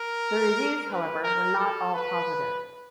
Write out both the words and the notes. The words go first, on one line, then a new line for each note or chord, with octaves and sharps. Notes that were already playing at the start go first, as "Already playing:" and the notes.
The reviews, however, were not all positive.
Already playing: A#4
B4
A#4
A4
B4